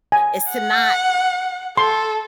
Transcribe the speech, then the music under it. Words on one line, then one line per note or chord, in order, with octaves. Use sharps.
is to not,
G#5
F#5
A4 C6